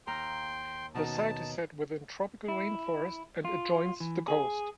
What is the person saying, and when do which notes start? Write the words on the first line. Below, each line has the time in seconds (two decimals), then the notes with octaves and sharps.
The site is set within tropical rainforest and adjoins the coast.
0.07 D#2 G5 A#5 C6 F6
0.95 B2 D#3 C#4 A5
2.48 E4
3.45 F4
4.00 E3
4.28 G#4